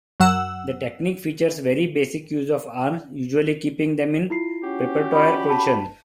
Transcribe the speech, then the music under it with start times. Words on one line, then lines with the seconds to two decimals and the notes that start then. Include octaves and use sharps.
The technique features very basic use of arms, usually keeping them in preparatoire position.
0.20 F#2 F#3 F#5 E6
4.30 E4 F4 C7
4.63 C#4 F#4 G4
5.12 F4 D5 B5
5.50 A5